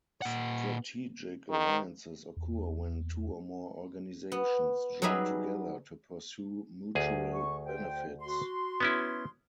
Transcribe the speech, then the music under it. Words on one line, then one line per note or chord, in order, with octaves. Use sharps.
Strategic alliances occur when two or more organizations join together to pursue mutual benefits.
A#2 F#5
D#3
E2
B3
F#3 G3 D#4 G#4 B4 E5
D2 G#4
C#6
C5 G5
F#4 C6
B3 C#4 E4